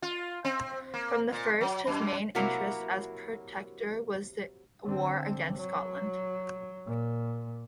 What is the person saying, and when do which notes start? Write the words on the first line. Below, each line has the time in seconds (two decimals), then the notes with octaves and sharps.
From the first, his main interest as Protector was the war against Scotland.
0.02 F4
0.45 C4
0.94 A#3
1.32 A#2
1.61 F#3
1.87 F#2
2.35 C3 F#3 A#3 E4 F#4 A#4
4.84 D3 C4
5.56 F#3
6.86 A#2